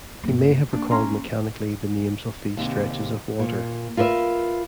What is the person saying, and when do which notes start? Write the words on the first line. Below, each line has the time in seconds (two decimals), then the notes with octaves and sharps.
He may have recalled mechanically the names of these stretches of water.
0.24 G1 A#3
0.73 A#3 D4
0.91 C#4 A#5 C6
2.57 D#2 C3
3.39 A#2
3.97 F4 A#4 B4 D#5 E5